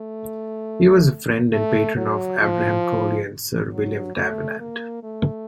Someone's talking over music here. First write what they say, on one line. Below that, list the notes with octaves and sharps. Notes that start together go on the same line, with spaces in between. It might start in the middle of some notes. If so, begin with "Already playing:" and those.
He was a friend and patron of Abraham Cowley and Sir William Davenant.
Already playing: A3
A3
F#3
F3
F#3
A3
A#3
A3